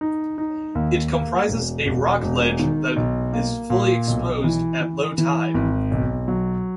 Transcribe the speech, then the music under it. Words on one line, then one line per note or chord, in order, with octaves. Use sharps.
It comprises a rock ledge that is fully exposed at low tide.
D#4
D#4
D#2
A#3
E1
E1
E1
D#3
B1
A#3
A#2
B1
E3
E3
E3
G#1
B1
F#3